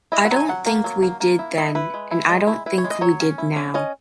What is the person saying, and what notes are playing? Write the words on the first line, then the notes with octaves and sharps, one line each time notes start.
I don't think we did then and I don't think we did now.
E4 D#5
F#5
F#3
G#5
F#3 F#5
A#3
F#3
A#3
A#3
E4
E4 D#5
E4 B4
G#3
E4
G#3
E4
E4 B4
C#5
G#3
D#5
F#3 C#5
C#4
E4
C#4
C#4 D#5